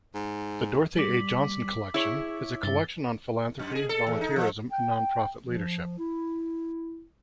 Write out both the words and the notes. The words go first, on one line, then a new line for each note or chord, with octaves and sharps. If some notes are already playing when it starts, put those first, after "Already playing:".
The Dorothy A. Johnson Collection is a collection on philanthropy, volunteerism, and nonprofit leadership.
G#2
G3 D6 B6 F#7
E4 G#4 C#5 E6
G2 A6 G7
F#2
G#4
A4
E2
D#4
F3
G5
F3
E4